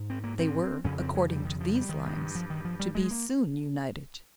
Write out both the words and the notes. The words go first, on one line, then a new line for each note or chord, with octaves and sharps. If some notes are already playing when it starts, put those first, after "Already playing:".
They were, according to these lines, to be soon united.
Already playing: G#2
C4
A#3
C4
F2 C#3 C#4
C4
G#3
G3
D#3
F3
G3
D#3
G2
F3
D#3
F3
G3
G#3
A#3